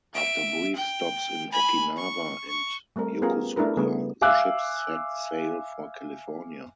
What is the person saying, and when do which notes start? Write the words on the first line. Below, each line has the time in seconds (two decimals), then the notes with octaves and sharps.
After brief stops in Okinawa and Yokosuka the ships set sail for California.
0.14 E5 D7
0.76 G5
1.52 G#5 B5
1.97 C#6
2.48 C#6
2.96 G3 A3 C4 A#4
3.22 B3 C#4 F4 G4 G#4 A#4
3.56 A3 D4 E4 G#4 A#4 B4
3.77 C#3 G3 A3 B3 G#4 A#4
4.21 E5 F5 G#5 D6 E6 F#6